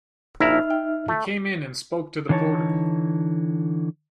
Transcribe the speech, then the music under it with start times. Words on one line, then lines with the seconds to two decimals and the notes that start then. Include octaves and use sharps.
He came in and spoke to the porter.
0.40 A#1 D#4 E4 E5 A#5 F6
0.70 G5
1.08 A3
2.29 D3 E3 D4 D#4 C#5 A5